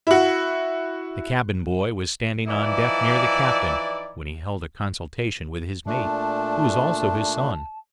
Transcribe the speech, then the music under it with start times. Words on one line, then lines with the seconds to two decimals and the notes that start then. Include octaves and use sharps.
The cabin boy was standing on deck near the captain, when he held a consultation with his mate, who was also his son.
0.07 E4 F#4
2.47 E3 F3 D#4 E4 D5
5.87 A#2 A3 D4 A5